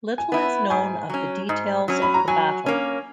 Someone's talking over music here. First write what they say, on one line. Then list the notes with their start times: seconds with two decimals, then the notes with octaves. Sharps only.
Little is known of the details of the battle.
0.18 G#5
0.32 B3 E4
0.70 G#2 G#5
1.10 F#3 C#4
1.49 G#2
1.88 F#3 C#4
2.02 B5
2.14 A#5
2.28 F#3 G#5
2.66 A#3 C#4